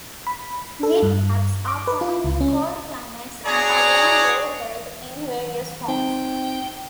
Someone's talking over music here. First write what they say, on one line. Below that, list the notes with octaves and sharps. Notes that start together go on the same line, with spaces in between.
Knit caps are common in cold climates, and are worn worldwide in various forms.
B5
A4
G2
D6
B4
F4
C#2
C#4
D4 F#4 G#4 C#5 D5 A#5
C4 D#4 C5 G5